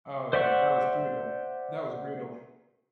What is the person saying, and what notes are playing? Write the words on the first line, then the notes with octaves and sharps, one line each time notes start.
Oh, yeah, that was brutal. That was brutal.
C5 D5 E5 F#5 C#6